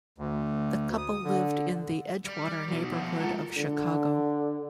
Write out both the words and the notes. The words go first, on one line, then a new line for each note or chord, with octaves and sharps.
The couple lived in the Edgewater neighborhood of Chicago.
D2
D#6
D3
G3
B2 F#3
F3 B3
G#3 F4 A4 A#4
D3